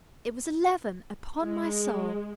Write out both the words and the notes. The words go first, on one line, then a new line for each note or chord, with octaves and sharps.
It was eleven, upon my soul!
G#3